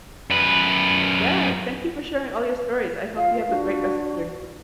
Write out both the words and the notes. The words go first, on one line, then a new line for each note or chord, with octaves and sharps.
Yes, thank you for sharing all your stories, I hope you have a great rest of your
F#2 B4
F4 F5
D4 F#4